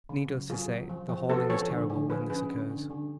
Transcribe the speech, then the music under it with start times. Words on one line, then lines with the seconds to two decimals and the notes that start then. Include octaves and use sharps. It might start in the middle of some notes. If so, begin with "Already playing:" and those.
Needless to say, the hauling is terrible when this occurs.
0.09 C#3
0.29 F#3
0.50 F#3 F4 G#4
0.69 F#3
0.89 F3
1.09 F3
1.29 B3 F#4 A4
1.50 F3 A4 C#5
1.70 D3
1.90 D3
2.10 F3 G#4 B4
2.30 C#4 G#4 B4
2.49 D3 C#4
2.70 D3
2.90 D3